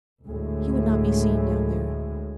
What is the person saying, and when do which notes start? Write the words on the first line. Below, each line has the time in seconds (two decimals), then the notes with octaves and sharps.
He would not be seen down there.
0.24 D2 A2 G#3